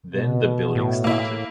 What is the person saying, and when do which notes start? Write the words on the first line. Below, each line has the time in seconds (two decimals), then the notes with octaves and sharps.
Then the building started.
0.14 B2
0.75 A2
1.04 A#3 E4